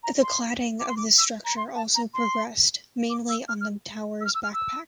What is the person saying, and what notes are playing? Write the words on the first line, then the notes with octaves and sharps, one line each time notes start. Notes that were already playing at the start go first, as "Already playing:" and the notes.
The cladding of the structure also progressed, mainly on the tower's "backpack".
A#5
C6
D6
C6
D6
E6
A#5
C6
A5
A#5
C6
D6
E6
F6
F6
E6
F6
E6
F6
E6